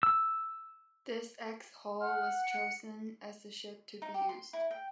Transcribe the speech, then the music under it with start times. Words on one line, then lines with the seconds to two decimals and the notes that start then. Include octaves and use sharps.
The ex-"Hoel" was chosen as the ship to be used.
0.03 E6
2.01 F#5 F6
2.43 C#7
4.02 D#4
4.14 G4
4.29 C6
4.53 E4
4.71 G5